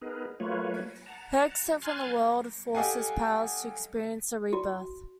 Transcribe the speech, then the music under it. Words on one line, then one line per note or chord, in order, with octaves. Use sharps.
Her exit from the world forces Powers to experience a rebirth.
B3 D#4 G#4 A#4 B4
F#3 A3 A#3 F4 B4 C#5
F#5 A5 A#5
G#5 C6 F6 F#6 G#6 A6
G4 A4 D#5 F5 F#5 G#5
F#4